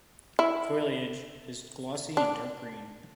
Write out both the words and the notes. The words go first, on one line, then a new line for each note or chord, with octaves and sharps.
Foliage is glossy and dark green.
E4
D4